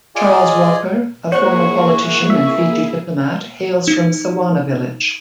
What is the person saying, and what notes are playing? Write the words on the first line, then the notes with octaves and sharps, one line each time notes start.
Charles Walker, a former politician and Fiji diplomat hails from Sawana village.
F4 G#4 D5 D#5 G#5
A#3 E4 F#4 G#4 C5 C#5 C#6
E5
D#4